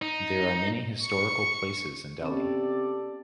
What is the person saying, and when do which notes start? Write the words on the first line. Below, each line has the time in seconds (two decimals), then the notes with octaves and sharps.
There are many historical places in Delhi.
0.02 D#4
1.03 C#6 C#7
2.22 C3 B3 C#4 G4 A4 D5